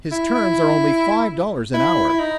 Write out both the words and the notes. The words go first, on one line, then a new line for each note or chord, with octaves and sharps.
His terms are only five dollars an hour.
E4
E4
E4
E4
D#4